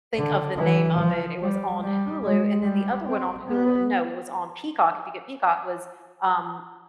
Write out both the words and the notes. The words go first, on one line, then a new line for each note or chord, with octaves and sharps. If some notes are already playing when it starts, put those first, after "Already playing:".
think of the name of it. It was on Hulu and then the other one on Hul no, it was on Peacock, if you get Peacock, was, um,
D3
E3
F3
G3
G3
G#3
G3
C4
B3